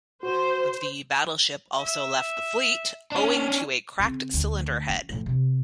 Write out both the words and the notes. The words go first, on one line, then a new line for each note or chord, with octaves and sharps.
The battleship also left the fleet, owing to a cracked cylinder head.
F#4 C5
E5
C#4 D4
C#3 C4
D2
C#4
A2 F3
C3